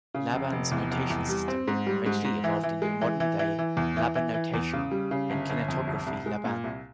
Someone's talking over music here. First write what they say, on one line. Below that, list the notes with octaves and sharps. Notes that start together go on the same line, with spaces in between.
Laban's notation system eventually evolved into modern-day Labanotation and Kinetography Laban.
C#3
F1
F1
E2
F1
E2
G3
C4
G#2
G3
G#2
G#2
E3
E3
G#3
E3
E3
E3
E3
E2
E3
E3
E3
E2
C#3
G3
C#3
G1
G1
F2
C2
C2
G#3
A#2
C2